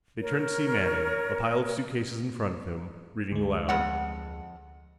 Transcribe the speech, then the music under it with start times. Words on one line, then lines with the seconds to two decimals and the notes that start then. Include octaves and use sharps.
They turned to see Manning, the pile of suitcases in front of him, reading aloud.
0.20 A#4 C#5
3.32 D2 G#3
3.69 F2 F#5